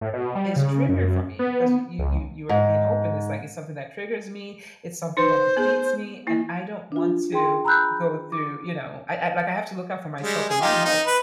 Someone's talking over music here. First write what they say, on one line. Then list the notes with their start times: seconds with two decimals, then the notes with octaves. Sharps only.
is triggering for me 'cause you you you were being open, it's like, it's something that triggers me, it's something that depletes me, and I don't want to go through, you know, I I, like, I have to look out for myself for my health.
0.01 A2
0.13 B2
0.35 G3
0.56 C#3
0.89 F#2
1.39 B3
1.98 C#2
2.49 G#2
5.17 D#4 B4 C5 C6
5.57 B3 G#4
6.27 A#3 E4
6.92 D4 F4
7.32 G#4 G5 C6
7.65 A#5 B5 E6 F#6 G6
8.32 D6
10.21 G3 G#3
10.50 G#4
10.61 D#4 F4 G4
10.85 D#4
11.07 B4